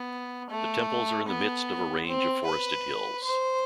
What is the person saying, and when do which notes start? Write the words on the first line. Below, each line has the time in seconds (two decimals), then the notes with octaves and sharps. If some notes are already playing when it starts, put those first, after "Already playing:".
The temples are in the midst of a range of forested hills.
Already playing: B3
0.50 A3
1.28 B3
2.06 C4
2.46 B4
3.24 C5